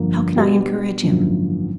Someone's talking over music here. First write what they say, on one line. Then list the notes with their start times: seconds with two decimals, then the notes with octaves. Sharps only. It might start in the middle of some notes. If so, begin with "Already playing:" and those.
"How can I encourage him?"
Already playing: G1 F2 D3 F3 A#3
0.36 B2 G3 B3 D4 G4
1.02 G#1 F#2 D3 F3 A#3